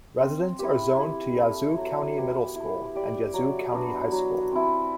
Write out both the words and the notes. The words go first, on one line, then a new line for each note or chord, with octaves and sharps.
Residents are zoned to Yazoo County Middle School and Yazoo County High School.
C4
E4 G4
E4
A4 E5
F#3
B3 E4 G4
E4
G4 D5
F#3
B3 D4 F#4
F#3
C4 E4